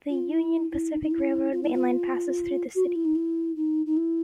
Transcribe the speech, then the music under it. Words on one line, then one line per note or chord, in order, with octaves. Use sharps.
The Union Pacific Railroad mainline passes through the city.
F4
E4
E4
D#4
D#4
E4
F4
E4
F4
F#4
F4
E4
D#4
E4
D#4
D#4
E4